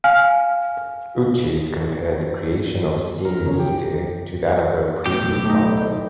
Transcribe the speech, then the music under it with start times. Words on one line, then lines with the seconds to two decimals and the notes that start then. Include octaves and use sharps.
Uchis compared the creation of "Sin Miedo" to that of her previous album.
0.04 F5 G#5 F6
3.25 A#4
3.46 C#3
3.60 G4
5.06 B1 A2 G4
5.45 A3 D#4